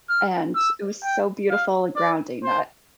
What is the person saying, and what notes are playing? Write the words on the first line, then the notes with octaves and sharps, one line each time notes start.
and it was so beautiful and grounding that
F6
E6
G5
F5
D5
C5